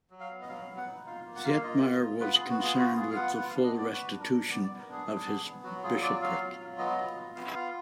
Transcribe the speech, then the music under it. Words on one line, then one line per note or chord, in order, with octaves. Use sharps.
Thietmar was concerned with the full restitution of his bishopric.
F#3
F5
B3
D#5
F#3 F5
B3
F#5
D#4
F4 F5
A#3
F#5
A#3 F5
F4 D#5
F4
F4
B3 B4
B3 G#4
F#4
F4 G#4
F4 F#4
F4 G#4
F5
B3 F#5
B3 F#5
D4 F5
D#5
B3
D5
F#4 B4
D4
A#4
D4
B3 D5
D5
B3
A#4
D4 G#4
D4
B3
B3
F#3 F#4
F4 G#4
F#3 D5
F#3 F5
F4
F#3
B3 D#5
F4
B3
B3 F5
F4 F5